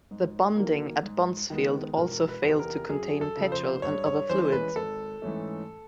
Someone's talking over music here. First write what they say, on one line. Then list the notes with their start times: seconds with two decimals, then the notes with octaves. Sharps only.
The bunding at Buncefield also failed to contain petrol and other fluids.
0.11 G#2
0.56 D#3 F#3 A#3
1.03 G#2
1.50 D#3 G#3 B3
1.97 E1 A#4
2.28 B4
2.43 E2 C3
2.59 A#4
2.89 F#2 G#4
3.21 A4
3.37 C#3 F3
3.52 C5
3.82 G2 C#5
4.06 C#5
4.29 E3 G#3 C#4 C5
4.52 B4
4.76 G#1 A4
5.22 G#2 E3 A3 C#4